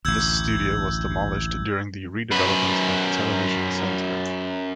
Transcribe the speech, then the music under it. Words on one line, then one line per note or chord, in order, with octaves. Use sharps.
This studio was demolished during the redevelopment of Television Centre.
A1 D2 E6 G6 G#6
F#2 B4